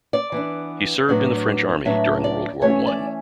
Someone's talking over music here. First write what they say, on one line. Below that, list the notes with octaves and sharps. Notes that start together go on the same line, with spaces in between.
He served in the French army during World War One.
D5
E3 B3 D4
A2 F#3 B3 D4
A2 F#3 B3 D4 E5
D5
E3 A3 C#4 C#5
D5